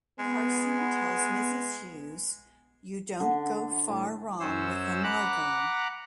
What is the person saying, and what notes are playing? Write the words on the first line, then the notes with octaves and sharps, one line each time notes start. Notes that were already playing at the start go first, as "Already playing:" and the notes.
Carson tells Mrs Hughes You don't go far wrong with a Margaux.
G#3 B3
D3
A2
F#2 C#4 C5 E6
F#5 A#5 B5 D6 F#6